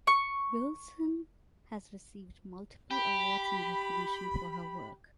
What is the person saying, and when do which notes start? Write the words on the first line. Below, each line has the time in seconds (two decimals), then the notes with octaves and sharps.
Wilson has received multiple awards and recognition for her work.
0.07 C#6
2.91 G4 B5